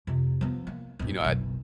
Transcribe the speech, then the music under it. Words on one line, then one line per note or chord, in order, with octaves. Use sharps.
you know, I
F2 C3
F3 B3
A#3
F2 A#2
F#1 B1